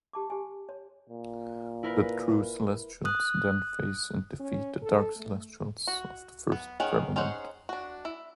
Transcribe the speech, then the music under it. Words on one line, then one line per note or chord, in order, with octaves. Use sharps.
The True Celestials then face and defeat the Dark Celestials of the First Firmament.
G4 A5 D6
G4 G#5
C#5
A#2
E4 A#4 B4
D#6 F#6
C#4
A4
A3
F#4
B3
D#3 C#4 G#4 F#5
C#4 D#4 G#4 C5 F#5
D4 F#4
E4